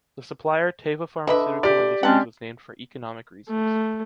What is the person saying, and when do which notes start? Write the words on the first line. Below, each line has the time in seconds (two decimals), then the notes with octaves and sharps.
The supplier Teva Pharmaceutical Industries was named for economic reasons.
1.27 D3 B4 D#5 E5
1.63 G4 D5
2.03 G#3 C4 C#4 F#5 A5
3.49 A3